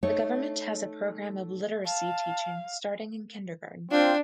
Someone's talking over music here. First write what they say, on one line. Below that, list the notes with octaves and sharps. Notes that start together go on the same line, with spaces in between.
The government has a program of literacy teaching starting in kindergarten.
A3 D#4 C#5
F5 A5
C4 D4 F4 G5